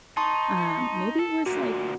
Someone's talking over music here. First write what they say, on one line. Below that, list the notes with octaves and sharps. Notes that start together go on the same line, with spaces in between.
Um, maybe it was, like,
D#4 A5 C6 C#6
A4
D2 A#2 F#4